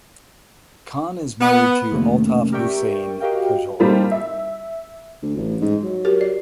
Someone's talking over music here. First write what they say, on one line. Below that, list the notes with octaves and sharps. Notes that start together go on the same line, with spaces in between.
Khan is married to Altaf Hossain Kajol.
B3
F2 C3 D#3 A3 A#3 C#4
G4 A#4 D5 E5 G5 C#6
F#4 G4 A#4 D#5 F5 G5
G3 A#3 C4 D#4 F4 A4
E5
D2
A1
G#2
F#3
G4 A#4
D5